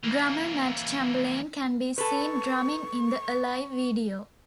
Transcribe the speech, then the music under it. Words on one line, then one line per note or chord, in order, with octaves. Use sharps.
Drummer Matt Chamberlain can be seen drumming in the "Alive" video.
E3 A#3
A4 B4 C#6